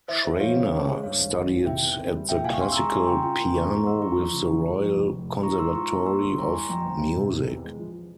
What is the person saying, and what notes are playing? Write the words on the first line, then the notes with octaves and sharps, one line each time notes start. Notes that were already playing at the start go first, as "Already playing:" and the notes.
Schraner studied at the classical piano with the Royal Conservatory of Music.
E3 C5 E5
F4 C5 E5
F3 C#5 F5
C#3
C#4
G#3
G2 C#5 F5
G#1
G#1
E3
C3 E5 G5
E2
C4
G3
A#2 E5 G5
C2 F5 G#5
C#6
C4 G#5 C6
E6
G#3 A#5 C#6
G3 G#5 C6
C#3 G5 A#5
F4 G5 A#5
A#3 G#5 C6
C#3 A#5 C#6
E2 A#5 C#6
G#3 C6 E6
E3 A#5 C#6
F3
C#3
E4
G#3
F2
F1
F1
C3
E3 A#5 C#6
G#2 C6 E6
F4 A#5 C#6
A#3 A#5 C#6
G2 C6 E6
G1 C6 E6
G3 A#5 C#6
E3 G#5 C6
F2 G5 A#5
G1
G3
C3
C3
E2
G#3
F3